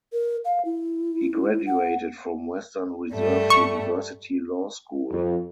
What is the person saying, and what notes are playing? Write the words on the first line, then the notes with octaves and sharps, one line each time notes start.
He graduated from Western Reserve University Law School.
A#4
F5
E4
F#5
G2 G3 A3
C#6
F2